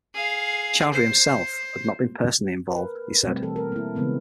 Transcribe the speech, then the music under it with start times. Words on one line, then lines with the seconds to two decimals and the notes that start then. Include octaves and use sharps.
Chaudhry himself had not been personally involved, he said.
0.14 G#4 F5
0.93 C5
2.71 A#4 B4
3.24 B2 G3 A3 C4
3.42 E3 A4
3.56 A#4
3.72 A#3 E4
3.95 C#3 E3 G#3 B3 C4